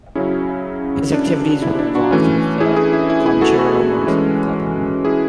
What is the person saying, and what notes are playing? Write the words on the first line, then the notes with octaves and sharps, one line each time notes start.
His activities were involved with the Comanchero Motorcycle Club.
C#3 F#3 C#4 E4 G#4
D4
E4
D4
D4 F#4
E3 A3 C#4
E4 G#4
E4 G#4
E4
E4
E4 G#4
F#4 A4
F#4 A4
E3 G#3 C#4
E4 G#4